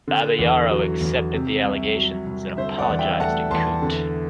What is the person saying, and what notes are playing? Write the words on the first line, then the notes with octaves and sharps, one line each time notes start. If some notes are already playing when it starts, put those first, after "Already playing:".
Babayaro accepted the allegations and apologised to Kuyt.
D3
E2
F#3
E2
C3
C2
F#3
C2
D3 C5 E5
D5 F#5
E2
E5 G5
A3 F#5 A5
E2 A5 C6
D3